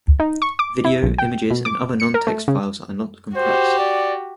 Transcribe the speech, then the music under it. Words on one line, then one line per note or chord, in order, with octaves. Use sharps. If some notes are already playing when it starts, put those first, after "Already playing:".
Video, images, and other non-text files are not compressed.
D#4
C#6
D6
E4
B1
G5
B2
D6
C#7
A#4
A3
C#3
F#4 G4 C5
D5